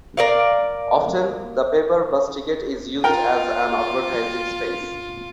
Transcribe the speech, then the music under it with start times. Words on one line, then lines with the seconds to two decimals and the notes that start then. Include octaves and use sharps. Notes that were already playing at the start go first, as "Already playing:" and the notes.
Often, the paper bus ticket is used as an advertising space.
0.17 A#4 D5 F5
3.04 F4 A#4 G5